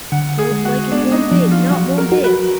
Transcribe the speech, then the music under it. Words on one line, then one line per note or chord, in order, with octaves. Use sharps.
Don't like it one bit, not one bit!
D3 F#5
G#4
G#3
F#4
B3 D4
D#4
F3
F4
F#3 F#4
A#4
F#4
B4